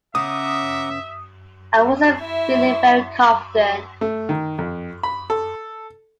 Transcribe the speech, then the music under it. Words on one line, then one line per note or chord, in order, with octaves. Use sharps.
I wasn’t feeling very confident.
C#3 B3 C#4 E5 F#5 A#5 D6 D#6
E4 E5
A3
D#3
F2
B5
A4